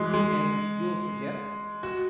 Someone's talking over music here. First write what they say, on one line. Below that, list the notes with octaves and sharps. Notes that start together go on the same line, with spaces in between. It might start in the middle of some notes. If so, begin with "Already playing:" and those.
"And you'll forget?"
Already playing: E3 F#3 G#3
G#3
F#4